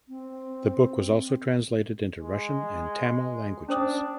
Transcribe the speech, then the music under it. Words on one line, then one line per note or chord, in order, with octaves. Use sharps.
The book was also translated into Russian and Tamil languages.
C4
G#3
C#4 D4 C5 D#6